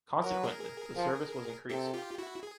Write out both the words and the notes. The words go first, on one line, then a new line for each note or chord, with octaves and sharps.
Consequently, the service was increased.
F#3 A#4
B4
G#4 A#4
F3
C3 G4 A4
F4 G4
E4 F#4
G#4